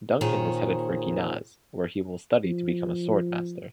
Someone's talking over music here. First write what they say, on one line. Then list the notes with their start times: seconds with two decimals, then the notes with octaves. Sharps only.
Duncan is headed for Ginaz, where he will study to become a swordmaster.
0.21 A#2 D#3 G#4 C5 C#5
2.45 F3